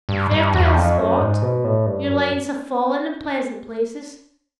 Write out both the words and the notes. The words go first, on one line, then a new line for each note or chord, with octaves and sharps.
A fertile spot! your lines have fallen in pleasant places!
G2
G2
E2
F2
F#2
G#2
B2
A2
G2
F#2